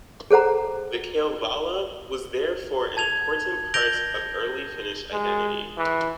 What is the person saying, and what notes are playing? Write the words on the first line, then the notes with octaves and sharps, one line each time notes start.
The "Kalevala" was therefore an important part of early Finnish identity.
G#4 A4 C5 F#5 A#5
A5 G#6 F7
G6 A#6 D7 F7 G7
G#3
E3